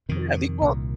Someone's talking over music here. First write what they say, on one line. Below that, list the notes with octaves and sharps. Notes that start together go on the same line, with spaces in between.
Yeah, the e well,
F2 C3 D#3
C2 A#2